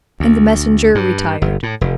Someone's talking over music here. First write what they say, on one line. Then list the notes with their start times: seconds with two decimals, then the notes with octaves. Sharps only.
And the messenger retired.
0.20 D2
0.95 G2
1.42 G1
1.63 A2
1.81 F1